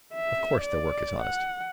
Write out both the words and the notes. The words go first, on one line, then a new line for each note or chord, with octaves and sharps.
Of course, their work is honest!
E5
D5
F#5